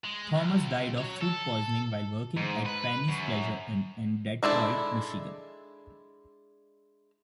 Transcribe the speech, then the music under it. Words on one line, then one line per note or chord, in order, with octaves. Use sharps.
Thomas died of food poisoning while working at Penny's Pleasure Inn in Detroit, Michigan.
G#3
C#2
F#3 C#5
A4
G#2
B4
F#2
G#3 D4 E4 A4